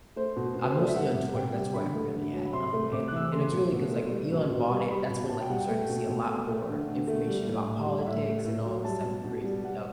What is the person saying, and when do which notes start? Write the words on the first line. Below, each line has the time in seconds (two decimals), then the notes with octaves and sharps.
I'm mostly on Twitter, that's where I'm really at, um, and and it's really 'cause, like, when Elon bought it, that's when, like, you started to see a lot more information about politics and all this type of crazy stuff,
0.16 A3 C5
0.36 B2
0.55 B2
0.63 B4
0.71 C5
0.76 A3 D5
0.88 E5
0.95 G3 F#5
1.15 C3
1.34 C3 G5
1.54 G3
1.74 D3 B5
1.95 A3
2.14 D3
2.33 F#3
2.46 B5
2.53 C3 C6
2.73 A3
2.92 C3 D6
3.08 F#6
3.12 E3 E6
3.24 D6
3.32 A3 C6
3.52 B2
3.72 B2
3.91 A3
4.11 G3
4.32 B2
4.50 B2
4.71 G3
4.90 G3 B5
5.10 B2
5.29 B2 A5
5.40 G5
5.50 G3 F#5
5.61 G5
5.69 A3
5.89 B2
6.09 B2
6.28 A3
6.48 A3
6.68 D3
6.88 D3
7.07 A3
7.28 G3
7.47 A2
7.67 A2
7.87 G3
8.06 A2 E5
8.25 A3
8.46 A2
8.66 F#3
8.85 G3 A5
9.05 B2
9.24 B2
9.44 G3
9.64 G3 F#5